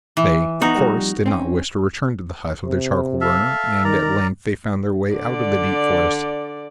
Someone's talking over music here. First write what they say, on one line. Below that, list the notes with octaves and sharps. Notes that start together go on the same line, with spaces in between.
They, of course, did not wish to return to the hut of the charcoal burner, and at length they found their way out of the deep forest.
E3
B3 D#4 F#4
F2 A#2 G3
C4 C#4
C3
A4 E5 F5
D#3 A#4 D5 A#5
D3 D5